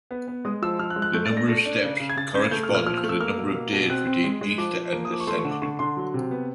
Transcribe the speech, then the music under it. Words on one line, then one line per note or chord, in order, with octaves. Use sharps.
The number of steps corresponds to the number of days between Easter and Ascension.
B3
B3
G#3 D#6
F3 E6
F3 F6
F#6
G#3
F#6
A3 G6
A6
D4
A#6
A3 A#6
D4
C#3
C#3
G#6
C#3 A6
A6
C#3 G6
G#6
A3 G6
F6
A#2
F6
F3 F6
F6
A3
E6
A#3 F6
B2
A#3
B2
C4 F#6
C4
G#3
G#3
F3 D6
F3
A#3
D#6
F3 D6
C#6
A3 C6
C#6
D3
D6
D3 C#6
D3 C6
F#3
C3
B3